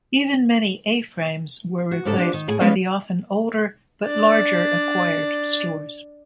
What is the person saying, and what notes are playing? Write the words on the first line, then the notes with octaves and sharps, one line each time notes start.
Even many A-Frames were replaced by the often older but larger acquired stores.
F#4
G#2 C#3 G4 A4 A5
F3 D4 G4
D#3
A2 G#4 G#5
G3 G#3 B3 C#4 D#5 F5
D4 D5